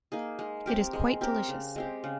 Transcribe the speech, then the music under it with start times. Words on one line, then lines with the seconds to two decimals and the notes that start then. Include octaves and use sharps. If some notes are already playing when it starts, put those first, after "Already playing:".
It is quite delicious!
0.12 A#3 D#4 G#4
0.39 G#3
0.66 C4 G4 A#4
0.93 G#3
1.21 C4 G4 A#4
1.48 C#3
1.76 G#3 C4 G4
2.04 C#3